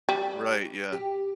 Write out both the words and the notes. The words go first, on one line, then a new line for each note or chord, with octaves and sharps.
Right, yeah.
G3
G4